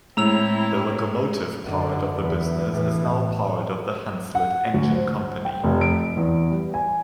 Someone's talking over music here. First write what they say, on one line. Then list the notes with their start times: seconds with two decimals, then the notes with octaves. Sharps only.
The locomotive part of the business is now part of the Hunslet Engine Company.
0.17 A2 G#3 C4 E4 A#5 E6 F7
1.64 F#2 D3
2.18 E2
2.73 A2 E3
4.35 F#5
4.74 D2
4.91 C5
5.45 G5
5.64 F1
5.81 D7
6.17 E2
6.51 G3
6.74 G#5